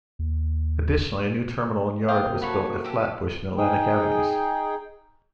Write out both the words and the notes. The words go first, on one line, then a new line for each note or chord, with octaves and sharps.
Additionally a new terminal and yard was built at Flatbush and Atlantic Avenues.
D#2
F#2 C3 A#3 F5 G5 D#6
F#4 A4 C#5 B5
G4 A4
D#4 G#4 G5